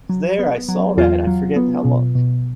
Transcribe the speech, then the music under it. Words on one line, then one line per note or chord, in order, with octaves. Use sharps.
was there, I saw that, I forget how lo
F#3
B3
F#3
E2 F4
F#3
B3
B2
B2